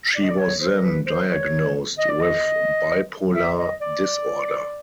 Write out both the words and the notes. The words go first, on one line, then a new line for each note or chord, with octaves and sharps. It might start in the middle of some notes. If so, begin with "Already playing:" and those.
She was then diagnosed with bipolar disorder.
D5
D#5
D5
C#5
C5
A#4
B4
C5
C#5
D#5
D5
D#5
E5
D#5
D5